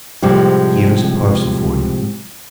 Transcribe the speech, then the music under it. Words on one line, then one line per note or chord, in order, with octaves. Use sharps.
"Here is a parcel for you."
A2 C3 F3 G3 G#3